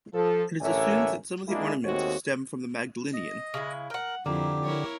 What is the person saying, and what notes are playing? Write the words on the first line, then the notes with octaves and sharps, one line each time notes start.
It is assumed that some of the ornaments stem from the Magdalenian.
F3 A4
A1 D3 A#4 C#5 E5 G#5
G#3 A#3 D4 E4 G#4
D#2 G#3 A3 C4 F#4 C#5
D#5
C#3 G#3 E4
A#4 F#5 G5
F2 D3 A#3 E4 G4
E4 A#4 C#5